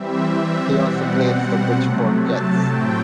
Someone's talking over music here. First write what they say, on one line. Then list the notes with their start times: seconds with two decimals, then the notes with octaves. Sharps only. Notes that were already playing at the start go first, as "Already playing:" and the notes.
He also played for the Bridgeport Jets.
Already playing: E3 G3 C4 E5
0.83 B2 G3 C4 F#5
1.75 C3 F#3 A3
2.21 A5
2.66 A2 F#3 A3 C4 G5